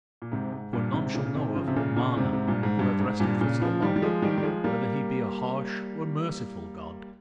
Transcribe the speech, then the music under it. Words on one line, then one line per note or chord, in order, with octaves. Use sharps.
For none shall know of MANA who hath rested for so long, whether he be a harsh or merciful god.
A#2
G#2 C3
G#2
G2 A#2
G#2 C3
A#2 C#3
C#3
C3 D#3
C#3 F3
C3
A#2 C#3
A#2 C#3
G#2 C3
G#2 C3
G2 A#2
G#2
G2
G#2
G2 A#2
A#2 C#3
C#3 F3
D#3 G3
G3
F3 G#3
D#3 G3
G3
F3 G#3
G3 A#3